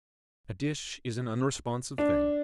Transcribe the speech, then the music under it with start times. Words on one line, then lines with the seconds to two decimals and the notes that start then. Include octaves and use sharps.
A dish is an unresponsive thing.
1.98 D4